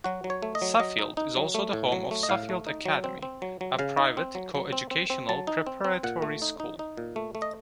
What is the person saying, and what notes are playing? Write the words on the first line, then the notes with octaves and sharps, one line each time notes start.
Suffield is also the home of Suffield Academy, a private coeducational preparatory school.
F#3 F#4
F#3
C#5
A3
D#5
F#3
F#3 D#5
D#4
D#4
F#3
A3
A2
F#3
A3
D#5
A2 F5
A3
D#4
F#3
C4
C4
F#3
F#3
C#3 F5
D#4
C4
F#3
F#3
C4
C4
C4
F#3 A5
D#4
C4
C4
A#2 F#5
A3
D#4
D#4
D#4
A#2
A3
A3
D#5